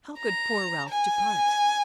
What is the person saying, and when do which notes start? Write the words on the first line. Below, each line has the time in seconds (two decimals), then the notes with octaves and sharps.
How could poor Ralph depart?
0.19 A#5
0.89 G#5